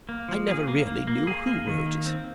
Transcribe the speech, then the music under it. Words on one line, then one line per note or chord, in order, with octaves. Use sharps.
"I never really knew who wrote it."
A#3
F3
A#3 G#4
A#3
A#3
A#3
A#3 G#4
A#3
D#3
A#3
C4